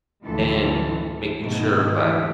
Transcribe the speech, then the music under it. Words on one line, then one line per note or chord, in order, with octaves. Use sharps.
and making sure that
D2 A2 E3 F3 G#3 A4
G#2 B2 D#3 A3
D3 E3 G#3 A3 G4